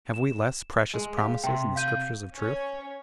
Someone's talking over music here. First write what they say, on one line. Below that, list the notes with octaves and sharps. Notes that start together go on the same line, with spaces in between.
Have we less precious promises in the Scriptures of truth?
E7
G#3
G4 F5
C3 G5 C6
F5 G6 D#7
C#4 C#5